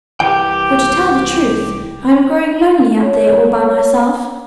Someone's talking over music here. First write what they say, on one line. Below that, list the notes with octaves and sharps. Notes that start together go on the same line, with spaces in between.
For to tell the truth, I am growing lonely up there all by myself.
C2 E3 G4 G5
C#5